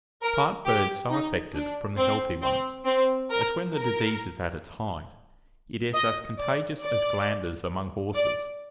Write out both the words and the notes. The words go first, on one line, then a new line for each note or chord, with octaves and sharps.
Part birds so affected from the healthy ones, as, when the disease is at its height it is as contagious as glanders among horses.
A#4
G4
D#4
D4
C4
C4
C4
A#4
A#4
D#5
D5
D5
D5